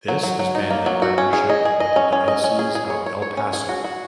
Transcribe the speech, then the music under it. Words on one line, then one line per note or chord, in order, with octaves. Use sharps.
This has been in partnership with the Diocese of El Paso.
F#3
F#3
F#3
D#4
A#3
F#3
F#4
C#4
G#4
D#5
G#4
D#5
C#4
C#4
D#5
C#4
G#4
G#4
C#5
C#5
C#5
C#4
G#4
F#4
F#4